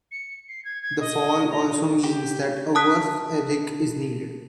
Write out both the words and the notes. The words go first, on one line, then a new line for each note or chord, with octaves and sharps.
The Fall also means that a work ethic is needed.
C#7
C7
G#6
G#6
D#5
A#5
G4
A5 D#6 F#6 B6